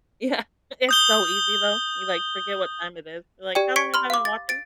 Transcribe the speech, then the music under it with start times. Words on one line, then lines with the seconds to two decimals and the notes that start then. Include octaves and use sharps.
Yeah. It's so easy, though. You, like, forget what time it is, you're like, "How long have I been watching?"
0.89 D#6 G6 G7
3.55 G4 D5 G5
3.76 C#6 G#6 B6 C#7 D7
3.94 B5 C6 F6
4.10 F5 D6
4.25 A6
4.49 A6 D7